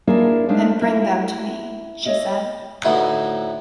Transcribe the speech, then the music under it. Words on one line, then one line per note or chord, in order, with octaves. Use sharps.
"Then bring them to me," she said.
A#3 D4 E4 F4 G#4 A#4
G#3 D4 D#4 C5 E5 F5
E4 E5
C#5 D#5 E5
D2 A2 B3 D#4 E5